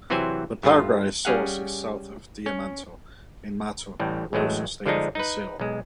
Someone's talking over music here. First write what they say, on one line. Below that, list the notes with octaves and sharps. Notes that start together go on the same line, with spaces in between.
The Paraguay's source is south of Diamantino in the Mato Grosso state of Brazil.
C3 E3 F#3 C4 C5 G#5
G2 A3 F4
G3 C#4 G#4 F5 F#5
C#4
A1 A2 G3
A1 A2 F#3 G#3 A3
D3 F3 G#3 D4 D#4
D#4 B4
B1 G#3